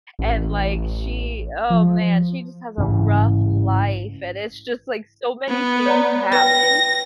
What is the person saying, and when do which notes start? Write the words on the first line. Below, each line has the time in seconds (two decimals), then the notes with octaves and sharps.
and, like, she oh man, she just has a rough life and it's just, like, so many things happen,
0.19 A1
1.70 F3
2.78 A1 G#2 C#3 E3
5.48 B3
5.86 C#5 D5 A#5
6.33 B4 G5 A#6